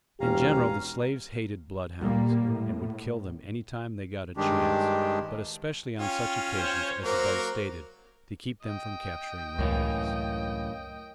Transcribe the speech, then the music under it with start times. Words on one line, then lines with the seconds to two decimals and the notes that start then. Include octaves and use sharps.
In general the slaves hated bloodhounds, and would kill them any time they got a chance, but especially on such occasions as above stated, to keep them from capturing runaways.
0.20 E1 C#4 G4 F5 A#5
2.00 A#2 G3 A#3
2.43 A2
4.37 G2 D#3 G#3 D4 G4
5.99 C#4 F4 G5
6.58 C5 C#5
7.05 F#3 A#3 A#4 C5
8.62 D#5 G5
9.59 C#2 F#2 A2 E3 A#4 C#5 F5